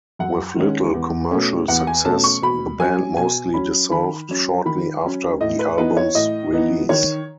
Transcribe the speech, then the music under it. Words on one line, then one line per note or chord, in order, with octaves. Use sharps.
With little commercial success, the band mostly dissolved shortly after the album's release.
F#2 F#5
D#3 G#3 C#4
E2
B2 A3 C#4
E2 F#5
G#5
B2 A3 C#4 A5
C#6
B2 B5
F#3 C#4 G#5
B2 G#5
F#3 C#4 B5
D#3 B5
F#3 C#4
D#3 B5
F#3 C#4
A2 D#5
B4
E3 B3 D#4 B4
C#5
A2 D#5
E3 B3 D#4
D#3 C#5